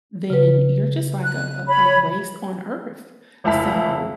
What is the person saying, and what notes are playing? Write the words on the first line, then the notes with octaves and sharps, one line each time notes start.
then you're just like a a a waste on earth. So
C#3 B4
F#6
C#5 B5
F1 C#2 E4 A5 B6